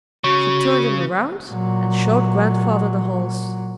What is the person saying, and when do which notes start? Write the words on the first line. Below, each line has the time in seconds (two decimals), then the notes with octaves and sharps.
She turned him around and showed Grandfather the holes.
0.24 C#3 F#4 C#6
1.50 A#2 F#3